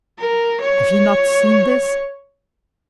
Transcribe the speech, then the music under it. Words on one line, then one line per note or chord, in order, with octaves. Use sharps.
Have you not seen this?
A#4
C#5